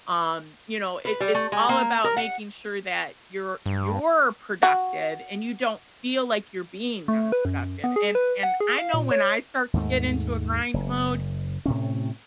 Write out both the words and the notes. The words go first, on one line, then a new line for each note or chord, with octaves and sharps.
um, you know, it it's all about making sure that you're you're productive, and you don't feel like you're being nonproductive, and and I know when I start to get into a grind mode,
B4
G3
A3
G#3
A#3
A#4
F#5
G2
F#4
A3
B4
F#2
B3
G#4
B4
F#5
G#4
F5
A#2
C#5
D#2 G#2 A3
F#1
A2 C3 C#4